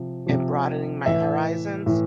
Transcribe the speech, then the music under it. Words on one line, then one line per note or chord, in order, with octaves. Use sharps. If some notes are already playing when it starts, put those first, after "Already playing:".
and broadening my horizons,
Already playing: C3 F3
C3 F3
A2 E3 E5
A2 E3